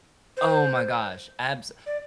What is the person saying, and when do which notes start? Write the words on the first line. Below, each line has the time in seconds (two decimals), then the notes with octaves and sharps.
Oh, my gosh, abs
0.37 C5
1.86 D5